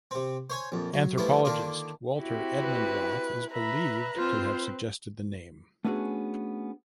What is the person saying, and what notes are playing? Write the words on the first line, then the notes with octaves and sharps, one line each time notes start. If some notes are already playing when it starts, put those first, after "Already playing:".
Anthropologist Walter Edmund Roth is believed to have suggested the name.
C3 C4
C5 C#5 G#5
A#1 F2
F#3
F3 G3 A3 B3 C#4 E4
D3 D#3 A#3 D4 F4
C4 E4 F#4 G4
B4
B4 E5 A#5 B5
C4 F4 C5
A3 B3 C#4 D4 F#4 G#4